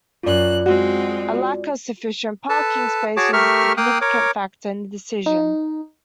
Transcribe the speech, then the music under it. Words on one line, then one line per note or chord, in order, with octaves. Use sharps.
A lack of sufficient parking space was a significant factor in the decision.
F#2 F4 D5 F#6
G#3 C4 F#4
A4 B4 A5
F#4 G#4 C#5 A5 D6
A3 G4 A#4 E5 C#6 F6
A#3 F5 G5 D#6 F#6
A#4 C#5 D6
D#4